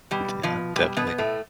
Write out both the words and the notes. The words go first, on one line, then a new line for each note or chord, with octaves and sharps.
Yeah, definitely.
B2 G3
B2 F3
B2 G3
B2 B3
B2
A2 A3